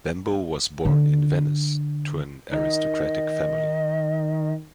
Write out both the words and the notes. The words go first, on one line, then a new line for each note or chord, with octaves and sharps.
Bembo was born in Venice to an aristocratic family.
D3
D#3 D#5